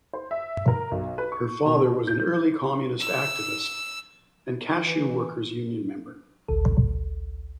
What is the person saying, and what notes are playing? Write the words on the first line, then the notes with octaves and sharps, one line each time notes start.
Her father was an early communist activist and cashew workers union member.
C5
E5
A#4
B1
B4
C#6
B2
G6
E6
E3
A1 D2 A4